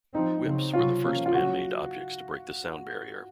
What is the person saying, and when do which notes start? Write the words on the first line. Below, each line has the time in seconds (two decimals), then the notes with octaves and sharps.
Whips were the first man-made objects to break the sound barrier.
0.14 F3 C4 D#4
0.44 C#3 F#3 C4
0.73 C3 F#3 C#4 F4
1.04 C#3 F3 A#3 C#4
1.26 F4
1.34 C#3 F#3 C#4 F#4